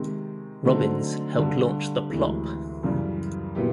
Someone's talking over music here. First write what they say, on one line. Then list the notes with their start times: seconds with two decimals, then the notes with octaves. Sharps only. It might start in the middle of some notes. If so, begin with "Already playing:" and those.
Robbins helped launch the Plop!
Already playing: C3 D#3 G#3
0.65 D3 F#3 A3 C4 D#4
1.38 G2 D3 G3
2.11 D2 C3 E3 G#3
2.83 F#2 C#3 E3 G3
3.55 A#2 F#3 B3 E4 G4